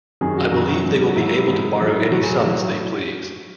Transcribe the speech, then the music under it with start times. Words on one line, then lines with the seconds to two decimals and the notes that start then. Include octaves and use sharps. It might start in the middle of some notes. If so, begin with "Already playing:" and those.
I believe they will be able to borrow any sums they please.
0.21 F#2 D#3 F#3 G#4
0.37 F#4
0.52 F#2 D#3 F#3 F#4
0.85 G#2 F#3
1.09 F#4
1.16 G#2 F#3 E4
1.48 G#2 F#3
1.79 G#2 F#3 D#4
1.95 E4
2.11 A2 F#3 F#4
2.23 G#4
2.37 F#4
2.43 A2 F#3